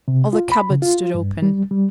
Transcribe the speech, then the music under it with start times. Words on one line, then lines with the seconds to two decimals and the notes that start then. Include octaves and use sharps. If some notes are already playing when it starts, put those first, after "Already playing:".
All the cupboards stood open.
0.08 C3
0.33 F4
0.52 B5
0.70 C#3
0.82 F4
1.14 G2
1.42 G3
1.71 G3